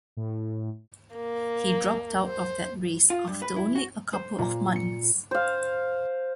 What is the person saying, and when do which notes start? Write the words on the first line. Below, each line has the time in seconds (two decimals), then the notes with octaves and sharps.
He dropped out of that race after only a couple of months.
0.17 A2
1.15 A#3
2.26 C5
3.10 F4
3.27 G2
3.42 B4
3.56 E4
3.76 F#4
4.13 C5
4.38 A#2
4.76 C#7
5.31 C5 F5